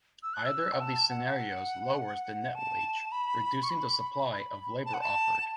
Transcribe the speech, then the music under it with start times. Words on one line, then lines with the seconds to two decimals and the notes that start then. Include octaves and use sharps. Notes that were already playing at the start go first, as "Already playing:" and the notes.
Either of these scenarios lowers the net wage, reducing the supply of labor offered.
0.23 E6
0.34 F#6
0.45 E6
0.72 F#5
0.80 A5
1.09 F#5
2.55 A5
3.12 B5
3.63 C#6
3.70 B5
4.85 A5
4.93 F#5
5.01 A5